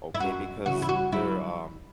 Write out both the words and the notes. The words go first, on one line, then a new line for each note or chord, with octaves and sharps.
okay, because there, um,
E4
F#2 F#4
C#3 E3 F#4
E4
F#4
D3 F#3 E4